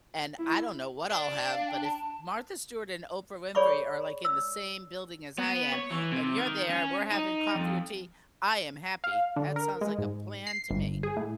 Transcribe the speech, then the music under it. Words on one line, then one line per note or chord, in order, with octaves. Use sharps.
and I don't know what I'll have, but if Martha Stewart and Oprah Winfrey are, like, in the same building as I am, and you're there, we're having coffee or tea, I am happy, that sounds like a plan to me.
E4
D4
F5
G5
A5
G#4 C#5 D5 B5 C#6 D6
E6
B3
C#5
E3
C3
D#3
C#4
D#4
F2
F5
D3
A#4
G#3
G#2
C7
G1
G#4
A2